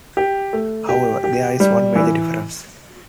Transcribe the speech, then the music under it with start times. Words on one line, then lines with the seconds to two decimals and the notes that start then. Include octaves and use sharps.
However, there is one major difference.
0.17 G4
0.53 A3
0.89 G4
1.24 G4
1.60 G3
1.96 E3